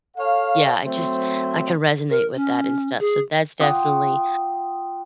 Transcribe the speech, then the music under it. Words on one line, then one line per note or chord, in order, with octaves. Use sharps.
yeah I just I can resonate with that and stuff. So that's definitely
A4 C#5 F5
F#3 A3 C4 C5
A#4
C#4
G#4
F4 F#5 G5 D#6